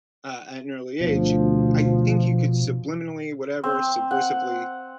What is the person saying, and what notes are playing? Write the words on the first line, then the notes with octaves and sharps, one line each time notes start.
uh, at an early age, I think you could subliminally, whatever, subversively,
D2 B2 F3
C4
F#5